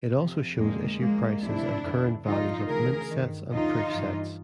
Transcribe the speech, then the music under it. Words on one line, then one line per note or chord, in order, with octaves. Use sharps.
It also shows Issue Prices and Current Values of mint sets and proof sets.
F2 C3 F3
F2 D3 F3 G#3 A#3
G#2 F3 G#3 A#3
D2 C3 F3 D4 E4
F2 D3 F3
F2 D3 F3 D#4 F4
D2 C#3 E3 G#4 A#4
G2 D#3
D#2 D3 F3 D#4 F4
G2 E3